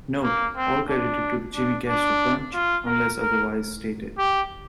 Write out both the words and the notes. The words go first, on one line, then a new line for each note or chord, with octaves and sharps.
Note: All credited to The Jimmy Castor Bunch unless otherwise stated.
A#3
C4
D4
D4
D4
F4
A#4
A#4
G4